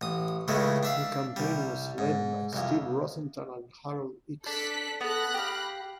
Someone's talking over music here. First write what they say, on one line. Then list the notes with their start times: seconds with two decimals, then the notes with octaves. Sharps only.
The campaign was led by Steve Rosenthal and Harold Ickes.
0.01 A1 D#6
0.48 C#2 A2 C#3 G#3 A3
0.83 D4 E5 F5
1.36 C2 G3
1.98 G#2
2.53 C2 F2
4.46 D4 A4 F#6 B6
5.01 B3 A4 B5 F#6 A#6
5.34 G4 F5